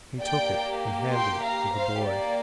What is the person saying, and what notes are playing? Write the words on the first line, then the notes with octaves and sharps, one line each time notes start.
He took it and handed it to the boy.
A#3 G4 D5 G5
G5 C6
F5 A#5
C5 F5
A#3 G4 D5